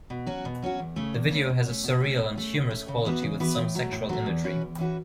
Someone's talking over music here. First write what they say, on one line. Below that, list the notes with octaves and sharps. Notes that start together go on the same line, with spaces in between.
The video has a surreal and humorous quality with some sexual imagery.
B2
F#3 C#4 F#4
B2
F#3 C#4 F#4
E2
C#3 A3 C#4
E2
C#3 A3 C#4
B2
A3 C#4
B2
A3 C#4
A2
A3 C#4
A2
A3 C#4
C#3
E3 B3 F#4 B4
C#3
E3 B3 F#4 B4
A2
F#3 A3
A2
F#3 A3
E2
E3 C#4 F#4 B4
E2
E3 C#4 F#4 B4